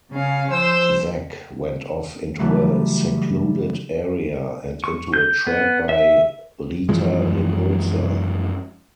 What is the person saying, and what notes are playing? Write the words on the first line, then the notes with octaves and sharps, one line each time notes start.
Zack went off into a secluded area, and into a trap by Rita Repulsa.
C#3 C#4 F5
F3 C5 E6
C#3 E3 F#3 G3 A3
C#6
G6
B3
E5
F#2 E3 F3 G#3